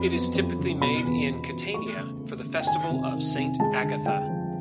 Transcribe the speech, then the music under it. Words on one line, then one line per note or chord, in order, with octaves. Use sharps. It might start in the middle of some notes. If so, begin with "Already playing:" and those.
It is typically made in Catania for the festival of Saint Agatha.
Already playing: F2 F#3 B5
B3
F2
C#3
B2 B5
E2
E2
E2
A3 C#6
C#3
A3
C#3
G5
D#3 G#5
C3
D#3
C3
G#3 A5
D3
G#3 G5
F3